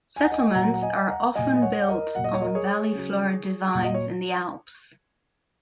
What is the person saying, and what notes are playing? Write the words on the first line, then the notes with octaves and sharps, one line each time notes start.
Settlements are often built on valley-floor divides in the Alps.
G#5
F#5
D#5 G#5
A#2 F#3 F#5 A#5
F#5
D#5 G#5
F#5 A#5
A#2 F#3 D#5 G#5
D#5
C#5 F#5
F#5
A#4 D#5
A#2 F#3 F#5
D#5
C#5
A#4 D#5
G#4 C#5
C#3 F#3
A#2 F#3 F#5
D#5
C#5